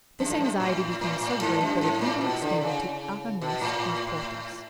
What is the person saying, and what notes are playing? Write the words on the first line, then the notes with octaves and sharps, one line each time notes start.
This anxiety became so great that it even extended to Aramis and Porthos.
F#2
G#2
F#2
A2
A2
A2
G#2
F#2
G#2
A2
B2
D3
C#3
B2
A2